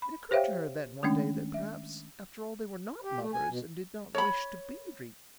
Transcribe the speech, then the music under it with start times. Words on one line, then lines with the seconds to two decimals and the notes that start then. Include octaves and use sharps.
It occurred to her then, one day, that perhaps, after all, they were not lovers, and did not wish to be reunited.
0.02 B5
0.31 G4 C5 C#5 E5 F5 G5
1.03 D#3 G#3 A3 C#4 D4
1.54 E5
3.03 G4
3.20 A3
3.34 G#5
3.48 B2
4.15 C#5 B5